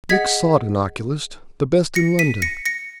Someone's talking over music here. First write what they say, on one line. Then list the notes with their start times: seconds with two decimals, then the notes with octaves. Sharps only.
Dick sought an oculist,--the best in London.
0.10 G#4 D#5 F#5 G#6 B6
1.95 A#6 C#7
2.19 B6 D#7
2.42 A#6 C#7
2.65 A#6 C#7